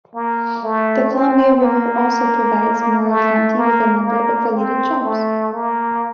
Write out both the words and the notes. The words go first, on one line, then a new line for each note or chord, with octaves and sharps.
The Columbia River also provides Morrow County with a number of related jobs.
A#3
A3
C4
A#3
A3
A#3
A#3
C4
A3
A#3